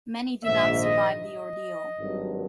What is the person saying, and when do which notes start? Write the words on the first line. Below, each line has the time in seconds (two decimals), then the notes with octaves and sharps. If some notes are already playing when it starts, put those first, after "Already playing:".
Many do not survive the ordeal.
0.45 A#1 G#2 D#3 E5
0.82 D#5
1.20 D#5
1.96 G#1 G2 D#3 F#3